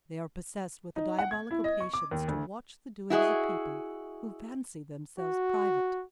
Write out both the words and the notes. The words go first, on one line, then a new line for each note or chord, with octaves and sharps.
They are possessed with a diabolical patience to watch the doings of people who fancy themselves private.
D#4
F#5
G#6
E4
D#5
C#6
D6
D#2
D2
E4 F#4 G#4 D#5
F#4